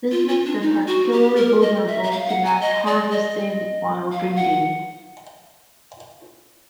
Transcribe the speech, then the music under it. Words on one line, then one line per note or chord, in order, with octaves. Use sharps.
This makes them particularly vulnerable to mass harvesting while breeding.
F4
F4
D4
D#4
F#4
G4
A#4
D#5
E5
E5
F5
F#5
G#5
D#5
D5
D#5
F5
F#5